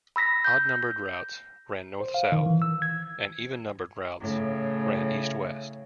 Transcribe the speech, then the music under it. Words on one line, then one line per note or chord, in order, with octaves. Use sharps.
Odd-numbered routes ran north-south and even-numbered routes ran east-west.
B5 E6 A#6 B6
G6
C5
F5
D#3
E3
E6
G#6
A2 C#3